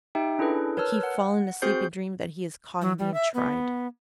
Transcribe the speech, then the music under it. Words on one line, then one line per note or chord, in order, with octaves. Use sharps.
I keep falling asleep and dreaming that he is caught and being tried.'
D#4 G4 E5 G5
C#4 D4 E4 G#4 A4 B4
A#4 B4 C#5 A5 E6 F6
F#5
C4 F#4 G#4 C5 G6 C7
F#3
G3
E5
B3